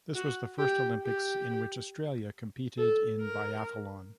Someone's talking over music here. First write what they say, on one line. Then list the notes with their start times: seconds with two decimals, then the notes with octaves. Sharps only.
This was the first Olympics in which Australia competed in biathlon.
0.15 F#4
0.59 G4
1.03 G4
2.78 A4
3.21 A#4